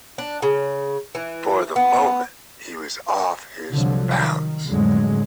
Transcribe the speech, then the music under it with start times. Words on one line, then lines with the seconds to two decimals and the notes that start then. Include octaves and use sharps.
For the moment he was off his balance.
0.18 D4
0.42 C#3
1.15 E3
1.76 B3
3.70 C2 D3 F3 F#3
4.14 D#3
4.67 F2 A2 D3 F#3 G#3